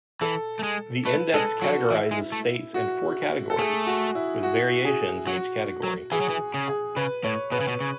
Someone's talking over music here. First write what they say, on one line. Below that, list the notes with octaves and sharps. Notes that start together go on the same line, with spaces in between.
The Index categorizes states in four categories, with variations in each category.
E3 A4
A3
G#3
A3 B4
G#3 A4
F#3 F#4
E3 E4
G#3
A3
F#4
A4
A3 G#4
F#4
E4
F#4
G#4
F#3 F#4
F#3
E3 G#4
F#3
E3
C#3
G#4
C#3 B4
A2 C#5
B2 B4
C#3
B2
C#3